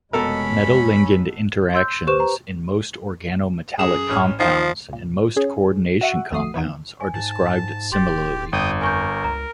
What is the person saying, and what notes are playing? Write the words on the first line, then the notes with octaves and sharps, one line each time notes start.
Metal-ligand interactions in most organometallic compounds and most coordination compounds are described similarly.
F1 B2 G#3 C#4 A4 A#4 B5
C6 E6 G6
G4 B4 C5 C#6 E7
A#5
F#2 G#4 E7
A1 C#4 F6
F3 D#4 F4
C#2 A#2
C#4 G#4
F#4 E5 F#5
A#1 F2 A3 F#4 D#6 C7
E2 D#3 E3 B3
G#5
G#2 A5
D1 G4 C6 A6
G1 F2 G5 D#6
A#4 G#5 C#6 G6
C#2 A#5